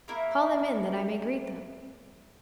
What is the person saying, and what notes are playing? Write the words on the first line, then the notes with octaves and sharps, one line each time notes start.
"Call them in, that I may greet them."
A#3 E4 A#4